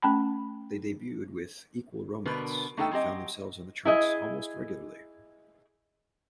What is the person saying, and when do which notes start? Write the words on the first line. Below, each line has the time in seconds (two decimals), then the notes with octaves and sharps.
They debuted with "Equal Romance" and found themselves on the charts almost regularly.
0.02 A3 C#4 G5 A5 B5
2.26 B2 D3 D4 A#4 B4
2.77 A3 D4 D#4 A4 F#5 G5
2.91 F#3 C4 G4 D#5 G#5
3.85 E4 G#4 D#5